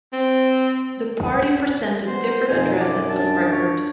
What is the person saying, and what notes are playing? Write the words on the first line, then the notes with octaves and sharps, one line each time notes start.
The party presented different addresses of record.
C4
B3 C5
F2 B2 D#4 G#5
F#2 D5
D4 A5
C#5